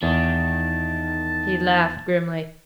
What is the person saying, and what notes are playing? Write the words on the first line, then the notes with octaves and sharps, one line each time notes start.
He laughed grimly.
E2 D#3 A5